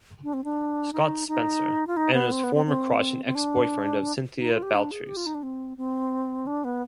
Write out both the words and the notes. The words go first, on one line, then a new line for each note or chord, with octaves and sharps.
Scott Spencer - Anna's former crush and ex-boyfriend of Cynthia Baltres.
D4
C4
D4
D#4
D#4
F4
D#4
B3
C4
B3
C4
C4
C4
D4
D#4
F4
G4
D4
G#4
G4
F4
D#4
D4
C4
C4
D4
B3